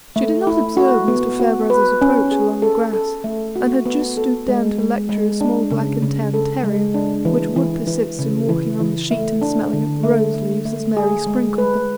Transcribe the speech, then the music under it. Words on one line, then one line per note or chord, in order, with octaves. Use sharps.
She did not observe Mr. Farebrother's approach along the grass, and had just stooped down to lecture a small black-and-tan terrier, which would persist in walking on the sheet and smelling at the rose-leaves as Mary sprinkled them.
A3
E4
F#4
B3
F#4
B4
C#4
G#4
A4
A4
A3
F#4
B3
A4
G#3
G#3
G#3
D4
C#3
C#3
A4
G#3
D4
E3
E3
E3
C#3
E3
E3
A3
D4
D3
A3
A3
A3
G#4
G#3
B4